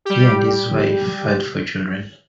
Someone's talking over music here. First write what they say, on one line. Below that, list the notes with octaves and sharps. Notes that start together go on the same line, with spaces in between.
He and his wife had four children.
G3 G4